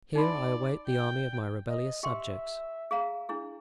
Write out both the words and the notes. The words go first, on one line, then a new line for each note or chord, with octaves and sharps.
Here I await the army of my rebellious subjects.
D#4 D5 B5 C6
G5
D#5
G4 E5 G5 C6
G#4 F5 A#5
D4 E4 G#4